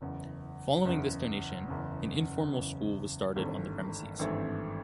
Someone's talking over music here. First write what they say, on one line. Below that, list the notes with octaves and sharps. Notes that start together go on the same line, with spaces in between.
Following this donation an informal school was started on the premises.
F#1 E2 C#3
F#1 E2 C#3
F#1 E2 C#3
F#1 E2 C#3
G#1 G2 E3 A3 C4
G#1 G2 E3 A3 C4